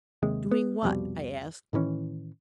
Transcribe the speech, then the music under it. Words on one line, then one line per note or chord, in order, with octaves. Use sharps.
"Doing what?" I asked.
D#2 C3 G#3
B3
C2 F2 B2 G3
A2 D#3 E3 C#4